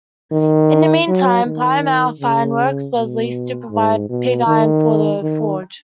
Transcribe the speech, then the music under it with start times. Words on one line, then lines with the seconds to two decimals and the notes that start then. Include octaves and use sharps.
In the meantime, Plymouth ironworks was leased to provide pig iron for the forge.
0.32 D#3
1.08 F#3
1.45 D#3
2.20 C#3
2.96 B2
3.71 G#2
4.09 B2
4.46 D#3
5.22 D#3